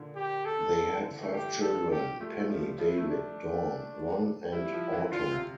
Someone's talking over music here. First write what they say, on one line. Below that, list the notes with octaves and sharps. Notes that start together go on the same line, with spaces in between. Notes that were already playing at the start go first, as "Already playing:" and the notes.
They had five children: Penny, David, Dawn, Ron, and Autumn.
Already playing: A#2 D3
G4
A4
E3
D3
A3
G4
G3
F3 A4
G4
G3
A3 F4
A3
F3
G3
F3 E4
A3
D4
G3 E4
F3
E3
D3 F4
C3